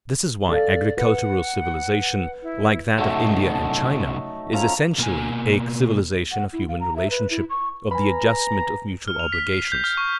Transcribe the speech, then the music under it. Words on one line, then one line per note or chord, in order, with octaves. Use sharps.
This is why agricultural civilisation, like that of India and China, is essentially a civilisation of human relationship, of the adjustment of mutual obligations.
A4 D5 F5
B4 F#5
E4
C2 F#2 F#3 A3 D#4
F#5 A5
F3 C#4 A4 A#5
B2 A#3 A#4 G#5
F#5
E4
F5
A#5
E5
B4
E4
C#6
B4 G#5 A#5 B5
F6
F7
B6
C7
G6
F6
C#6